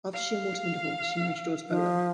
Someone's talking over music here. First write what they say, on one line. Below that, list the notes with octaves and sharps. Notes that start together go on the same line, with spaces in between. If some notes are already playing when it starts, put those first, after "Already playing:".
After she and Waterman divorced, she married George Bowling.
F5
F3